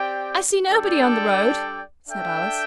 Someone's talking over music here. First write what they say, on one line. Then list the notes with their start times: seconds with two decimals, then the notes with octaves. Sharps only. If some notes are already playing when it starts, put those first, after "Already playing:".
'I see nobody on the road,' said Alice.
Already playing: C4 G4 D5 G5
0.69 G3 D4 A4 D5 G5
2.09 D4 A4 E5 G5